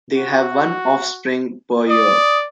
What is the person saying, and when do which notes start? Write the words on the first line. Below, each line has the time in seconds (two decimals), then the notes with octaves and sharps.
They have one offspring per year.
0.16 F#4
1.89 D5 D#6